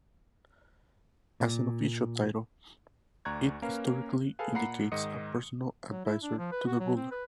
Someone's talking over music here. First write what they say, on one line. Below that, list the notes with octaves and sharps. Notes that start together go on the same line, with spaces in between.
As an official title, it historically indicates a personal advisor to the ruler.
A#2
D2 D5 A#5 C#6 F#6 G#6
A#3 C#4 A#4 B4 F5
G#4 A4 B4 F5 G#5
A#2 F#5 A#5 B5 C7
G#2 D#3 D#4 D#5 D#6 C#7
F#3
E4
D4
F3
B4
F#4
F#3
C4
B4